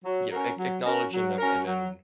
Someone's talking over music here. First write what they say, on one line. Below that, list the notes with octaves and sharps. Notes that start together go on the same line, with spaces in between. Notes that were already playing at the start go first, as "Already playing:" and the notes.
you know, ac acknowledging them and then
F#3
C#4 F#4 A#4
F#3
C#4 F#4 A#4
F#3
C#4 F#4 A#4
F#3